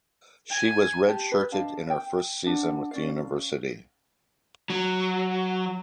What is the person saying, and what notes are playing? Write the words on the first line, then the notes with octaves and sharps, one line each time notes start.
She was redshirted in her first season with the university.
G#5
G4 A5
B4
D4 D#5 F5 A5
G5
D4 F#5
C#4 D5 F5
F#3